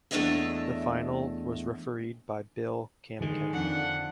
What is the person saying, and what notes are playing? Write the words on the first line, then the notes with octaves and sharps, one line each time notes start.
The final was refereed by Bill Camkin.
E2 A3 D4 C#5 D#5 E5
D3 D#3 G#3
F2 D4 F#5